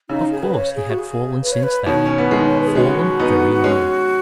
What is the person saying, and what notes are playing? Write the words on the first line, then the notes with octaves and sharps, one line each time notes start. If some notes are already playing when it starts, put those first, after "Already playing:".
Of course he had fallen since that,--fallen very low.
C#3 D#4
G#4
B4
C#5
G#4
F#4
G#4
B4
C#5
B4
B2 D#3 C#5
C#4
B3
D#3 G#3
C#5
B4
G#4
G#3 C#4 F#4
B3 D#4
G#3 C#4